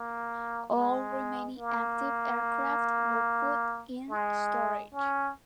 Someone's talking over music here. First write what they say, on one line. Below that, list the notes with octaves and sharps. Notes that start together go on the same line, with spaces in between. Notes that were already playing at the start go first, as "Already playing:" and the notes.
All remaining active aircraft were put in storage.
Already playing: A#3
G#3
A#3
G#3
C#4